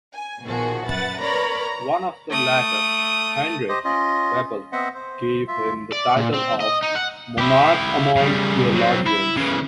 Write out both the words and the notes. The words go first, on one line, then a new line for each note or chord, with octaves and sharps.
One of the latter, Heinrich Bebel, gave him the title of "monarch among theologians".
G#5
A#1 B2 D#3 F3 F#4 G#4
F#2 B4 E5 F#5 A6
A#4 B4 C#5 D5 A#5 B5
A#5
A3 D#6
G4 C5 D#5
C#4 F4 D#5
B3 C4 C5 D#5 E5 F#5
C5
F4 E5
D5
A#2
C4
D#5
D#4
F#5
E4 G4
C#3 G3
F#3 C4
E4
C#3 E3